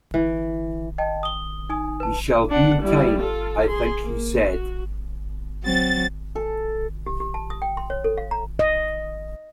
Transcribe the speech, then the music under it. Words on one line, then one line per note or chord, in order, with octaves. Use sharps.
"We shall be in time, I think," he said.
E3
D#5 G5 A5
D#6 G7
D#4 G#5 D#6
B4 A5
D4 F#5
G3 E4
F4 A4
G#4 C6
A#3
F#4
F#3 C4 A6
A4
G4
G4
A5
D#6
G5
C6
C#5
A4
F5
A#5
D#5